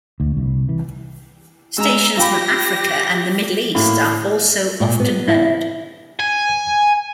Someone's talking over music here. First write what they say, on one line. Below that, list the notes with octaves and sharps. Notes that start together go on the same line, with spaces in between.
Stations from Africa and the Middle East are also often heard.
D2
C2
E3
G#3 A#5 E6
F4 G4 G5 B5 A#6
A2 A#3
A#2
B3
E4
G#5